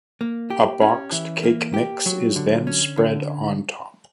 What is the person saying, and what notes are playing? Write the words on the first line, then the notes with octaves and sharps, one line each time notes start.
A boxed cake mix is then spread on top.
A#3
G4
C#4
E3
A#3
G4
F#3
D3
C#4
D3